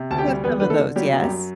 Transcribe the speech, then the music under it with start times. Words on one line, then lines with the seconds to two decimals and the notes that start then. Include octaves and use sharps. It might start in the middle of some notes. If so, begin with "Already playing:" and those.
we have some of those. Yes.
Already playing: C3
0.11 D2 A5
0.18 G4 G5
0.27 G3
0.44 E2 B3 B4
0.60 D3 B4
0.70 A3 A4
0.79 D3
0.96 F#3 G3 G4
1.13 F#2
1.22 G3 G4
1.30 F#3